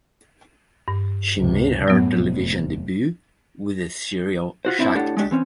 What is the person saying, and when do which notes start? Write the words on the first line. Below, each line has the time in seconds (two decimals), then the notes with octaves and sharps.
She made her television debut with the serial "Shakthi".
0.88 G2
1.35 C#2 C3
1.88 F#2 A2 F#3 B3
2.19 F1
4.65 F4 F#4 C5
4.79 C4 D4 E4 C5
4.95 A2 D4 G4 A4 F#5
5.17 G#3 A3 D4 G4
5.31 E3 C4 C#4